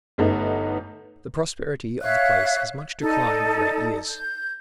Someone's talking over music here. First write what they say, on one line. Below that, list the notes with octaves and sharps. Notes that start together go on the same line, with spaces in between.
The prosperity of the place has much declined of late years.
G1 A3 B3 D#4
C#5 E5 F5 F#6
D#4 A4 D5
G6